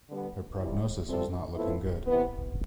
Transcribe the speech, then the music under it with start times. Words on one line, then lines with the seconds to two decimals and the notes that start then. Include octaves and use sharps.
Her prognosis was not looking good.
0.09 D3 G3 B3
0.58 F2 C3 E3 G3
1.07 C3 G3 C4 F4 A4
1.56 A2 F3 B3 E4 A4
2.06 C3 E3 B3